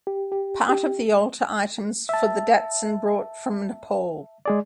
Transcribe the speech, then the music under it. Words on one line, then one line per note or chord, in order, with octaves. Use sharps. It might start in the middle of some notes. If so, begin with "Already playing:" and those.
Part of the altar items for the datsan brought from Nepal.
G4
G4
G4
E5 A5
G#3 G#4 D5